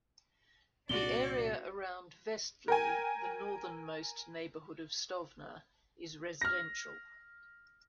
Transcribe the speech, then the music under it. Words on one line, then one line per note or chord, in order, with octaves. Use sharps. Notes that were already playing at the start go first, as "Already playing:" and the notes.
The area around Vestli, the northernmost neighborhood of Stovner, is residential.
C2 A#2 C4 D4 F#4 D5 G7
A#4 G5 G#5
F6 A#6